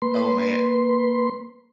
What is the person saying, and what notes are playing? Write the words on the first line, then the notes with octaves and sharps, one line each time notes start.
oh, man.
A#3 B4 C6